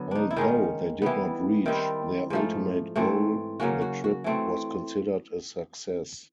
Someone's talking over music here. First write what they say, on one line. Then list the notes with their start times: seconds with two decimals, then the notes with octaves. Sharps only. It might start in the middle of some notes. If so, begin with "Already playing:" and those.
Although they did not reach their ultimate goal, the trip was considered a success.
Already playing: D3 F#3 B3
0.11 D4 D#4
0.31 E4
0.36 D#3 G#3 C#4 D#4
1.02 E3 G3 B3
1.66 D#3 G3 C4 E4
2.30 G#2 F3 A3
2.95 G#2 E3 A3 C4
3.60 C#3 F#3 A#3 C#4 F#4
3.81 F#4
4.04 F#4
4.24 E3 A3 C4